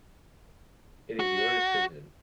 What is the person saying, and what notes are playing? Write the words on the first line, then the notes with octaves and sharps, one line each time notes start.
It is your decision.
F#4